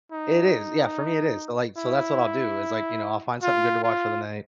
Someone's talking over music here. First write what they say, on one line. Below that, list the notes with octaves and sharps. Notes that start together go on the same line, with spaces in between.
It is yeah, for me, it is, so like so, that's what I'll do is, like, you know, I'll find something good to watch for the night,
D#4
E4
F4
F4